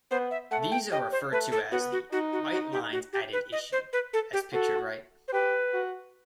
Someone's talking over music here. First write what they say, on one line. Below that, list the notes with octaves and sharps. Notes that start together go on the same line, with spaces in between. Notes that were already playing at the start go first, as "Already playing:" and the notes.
These are referred to as the "white lines added issue", as pictured right.
B3 C5
E5
A3 F#5
G5
G4 D#5
C5
A3 B4
A4
B3 F#4
F#4
D#4 F#4
F#4
F#4
G4
F#4
G4
B4
D#5
C5
B4
A4
G4
F#4 A4
C5
G4 B4
F#4